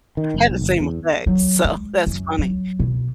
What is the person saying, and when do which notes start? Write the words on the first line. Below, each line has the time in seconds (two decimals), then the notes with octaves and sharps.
had the same effect. So, that's funny.
0.17 D#3
0.34 F#1
0.50 B1
0.62 G1
0.80 E2
1.27 F#3
1.64 G#3
2.07 F#2
2.39 F#3
2.80 B2